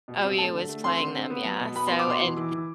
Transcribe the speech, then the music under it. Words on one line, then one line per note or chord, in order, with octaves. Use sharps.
OU was playing them, yeah, so, and
B2
C4
A3 A5
D3
A3
C4 C6
D3
C4
B3
F#3
B2
B3 B5
C6
B3
D6
B2 C6
E3
E3
E3